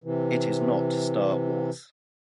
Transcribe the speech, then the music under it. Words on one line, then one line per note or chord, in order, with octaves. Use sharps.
It is not Star Wars.
C3 E3